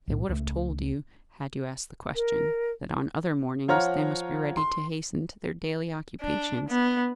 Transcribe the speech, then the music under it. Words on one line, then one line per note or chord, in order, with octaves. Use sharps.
They would have told you, had you asked the question, that on other mornings they must be ready to hasten to their daily occupations.
B1 A2
C#2 A3
A#4
F3 F4 C#5 F#5 A#5 F6
C6
D4
B3